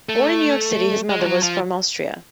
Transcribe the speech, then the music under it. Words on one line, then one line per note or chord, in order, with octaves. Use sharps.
Born in New York City, his mother was from Austria.
A3
G#3
F3
F#3
F3